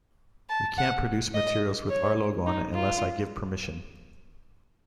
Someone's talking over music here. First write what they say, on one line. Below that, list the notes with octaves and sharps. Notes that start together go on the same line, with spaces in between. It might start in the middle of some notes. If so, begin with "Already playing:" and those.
You can't produce materials with our logo on it unless I give permission.
A5
F#5
D#5
C#5
D#4
F4